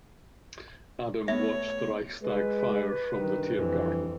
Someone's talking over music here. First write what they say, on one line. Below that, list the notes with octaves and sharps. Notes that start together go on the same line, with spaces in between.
Adam watched the Reichstag fire from the Tiergarten.
A2 B3 C#5 E5
G#3 B4
G2 D#3
F2 E3